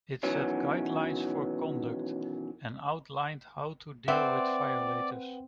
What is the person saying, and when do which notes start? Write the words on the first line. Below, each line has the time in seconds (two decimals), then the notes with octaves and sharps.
It set guidelines for conduct and outlined how to deal with violators.
0.23 B2 D#3 E3 F#3 C#4
4.08 C4 B4 D5 E5 F#5 G5